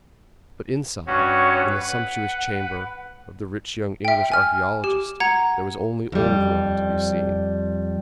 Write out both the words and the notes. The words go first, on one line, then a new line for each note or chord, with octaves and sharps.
But inside, in the sumptuous chamber of the rich young English archaeologist, there was only old Rome to be seen.
G2 C#4 F#4 C#5
B4 F#5
E5 G5
G#5 F6
G4
F#5 A#5 G#6 C#7
F2 G3